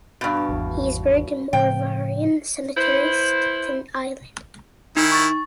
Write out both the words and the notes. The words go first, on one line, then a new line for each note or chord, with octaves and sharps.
He is buried in Moravian Cemetery, Staten Island.
G2 B2
G#1 E2
A2 C#3 F3 G5
E4 B4 C5
D#3 D#4 E4
C#6 A6